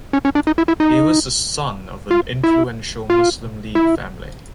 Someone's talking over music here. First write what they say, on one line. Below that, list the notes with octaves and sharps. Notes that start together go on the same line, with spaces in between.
He was the son of an influential Muslim League family.
C#4
C#4
D4
D#4
E4
E4
D#4
F4
E4
F4
E4